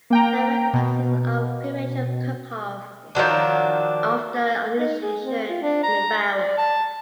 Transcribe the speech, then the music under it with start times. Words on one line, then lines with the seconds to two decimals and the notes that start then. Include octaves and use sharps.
There were cases of premature cook-off of the ammunition in the barrel.
0.10 A#3 G5 A#5
0.73 B2
3.15 D#3 F3 F#3 D4
4.79 D#4
5.02 G#4
5.23 C4
5.49 F4
5.62 D4
5.84 A#5
6.35 D5
6.58 A5